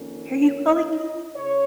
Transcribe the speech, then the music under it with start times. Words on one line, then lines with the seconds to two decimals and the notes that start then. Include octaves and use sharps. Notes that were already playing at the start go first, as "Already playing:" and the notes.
why are you calling me?"
Already playing: F2 D#3 A#3 C#4
0.41 C#5
0.88 D#5
1.35 C#3 C#5